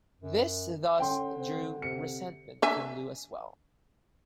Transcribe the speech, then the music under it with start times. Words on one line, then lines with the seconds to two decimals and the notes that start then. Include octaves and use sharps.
This thus drew resentment from Lu as well.
0.21 F#2
1.00 D3 C#4 G5 C6
1.38 C4
1.82 C3 C#7
2.62 D4 E5 G#5